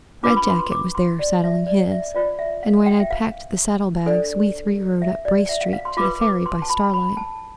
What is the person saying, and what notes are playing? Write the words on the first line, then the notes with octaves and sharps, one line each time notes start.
Red Jacket was there saddling his, and when I'd packed the saddle-bags we three rode up Race Street to the Ferry by starlight.
D4 F4 B4 D6
B5
C6
C6
D6
C6
D5
E5
D5
E5
F4 C5 D5
E5
F5
G5
E5
F5
D4 A4 C5 D5
E5
D5
E5
F5
F5
C6
F4 B4 D6
D6
C6
A5
B5
B5
A5